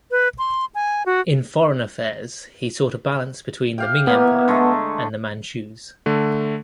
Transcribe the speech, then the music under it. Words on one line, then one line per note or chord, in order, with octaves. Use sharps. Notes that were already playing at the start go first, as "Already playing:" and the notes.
In foreign affairs he sought a balance between the Ming Empire and the Manchus.
B4
C6
G#5
F#4
G4 F5 G5
E3 A#3 B3 G#5
D3 G#3 A3
D3 A3